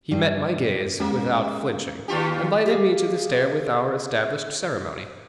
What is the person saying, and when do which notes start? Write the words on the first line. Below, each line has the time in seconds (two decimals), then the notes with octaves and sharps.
He met my gaze without flinching, and lighted me to the stair with our established ceremony.
0.11 G2 G3
1.00 G#3 A#3 C#4 G4
2.08 D#2 F4 G4
2.66 G4 G#4 F5